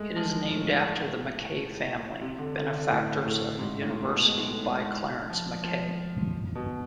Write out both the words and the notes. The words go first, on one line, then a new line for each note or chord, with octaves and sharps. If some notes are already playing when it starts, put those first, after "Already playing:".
It is named after the Mackay family, benefactors of the university by Clarence Mackay.
Already playing: G#3 A3
F3
A2
C3
D3
D3
D3
A2
A2
G#2
A2
B2
G#3
A3
G#3
F3
F3
B2